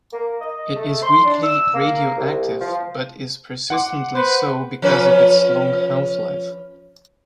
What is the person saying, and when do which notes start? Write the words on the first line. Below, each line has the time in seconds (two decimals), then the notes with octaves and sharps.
It is weakly radioactive but is 'persistently' so because of its long half-life.
0.13 A#3
0.41 D#5
0.75 A3
1.03 C6
1.24 D4
1.43 E6
1.74 A#3
2.17 C2
2.61 F3
3.70 F#5 C6 D6
4.15 B4 C5
4.82 F3 C#4 B4